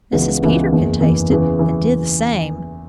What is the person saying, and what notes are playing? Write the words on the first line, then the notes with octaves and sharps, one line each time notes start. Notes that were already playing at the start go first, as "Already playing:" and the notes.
Mrs. Peterkin tasted, and did the same.
C#2 C#3 E3 B3 F#4
C#2 C#3 E3 B3 F#4
F#1 E2 E3
F#1 E2 E3
E2 C#3 E3
C#3 E3